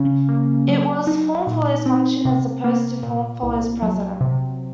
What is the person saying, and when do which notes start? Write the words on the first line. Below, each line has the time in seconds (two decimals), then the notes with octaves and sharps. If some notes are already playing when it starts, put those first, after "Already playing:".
It was "form follows function", as opposed to "form follows precedent".
Already playing: C#3 C#4
0.29 A#3
0.68 F#3
1.07 D#4
1.47 A#2
1.86 C4
2.25 C3
2.64 A#3
3.03 A#2
3.43 C2
3.82 F#3
4.21 C3